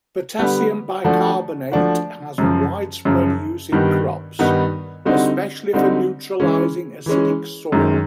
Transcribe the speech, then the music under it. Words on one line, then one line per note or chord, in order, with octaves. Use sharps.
Potassium bicarbonate has widespread use in crops, especially for neutralizing acidic soil.
D3 G3 B3
F3 A3 D4 F#4
F3 A3 D4 F#4
F#2 C#3 F3
F#2 C#3 F3
G2 D#3 G3 B3 D#4
G2 D#3 G3 B3 D#4
D3 G3 C4 D#4 F#4
D3 G3 C4 D#4 F#4
E3 G#3 C#4
E3 G#3 C#4
F#2 D#3 G#3